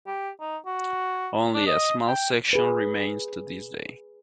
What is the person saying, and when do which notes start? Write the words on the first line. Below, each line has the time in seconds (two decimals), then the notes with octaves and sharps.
Only a small section remains to this day.
0.07 G4
0.41 D#4
0.66 F#4
1.55 D4
1.67 D#5
2.08 G5
2.53 G#4 B4